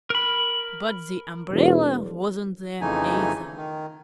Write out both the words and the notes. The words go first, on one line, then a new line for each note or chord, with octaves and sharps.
But the umbrella wasn't there, either.
A#4 B5
E1
F2 C#3 E3 A3 D#4 G#5
D#3